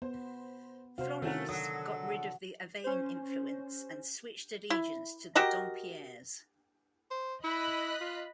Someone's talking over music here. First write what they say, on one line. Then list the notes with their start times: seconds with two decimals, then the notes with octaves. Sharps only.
Floris got rid of the Avesnes influence and switched allegiance to the Dampierres.
0.02 B3 C5
0.98 C3 C4 F#4 C5 F5
1.22 D#3 A3 C4 C#4 E4 A#4 F#5
1.49 D3 F#3 A4 D#6
2.84 C#4 C5
4.70 E4
5.35 F#4 G4 A#4 D#5
7.11 C5
7.44 E4 D#5 B5 F#6
8.01 F4